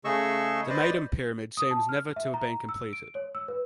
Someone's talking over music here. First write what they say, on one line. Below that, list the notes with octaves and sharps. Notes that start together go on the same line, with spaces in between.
The Meidum Pyramid seems never to have been completed.
C#3 A3 G#4 D#5 C#6 E6
B4 C5 D5 D#5
D#6
A5
F6
E5
A#5
E6
D7
C#5
E6
B4